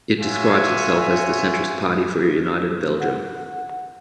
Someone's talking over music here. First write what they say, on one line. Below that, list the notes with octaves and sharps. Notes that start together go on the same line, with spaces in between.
It describes itself as "The Centrist Party for a United Belgium".
F4 F#4 C#5 E5 G#5
F#5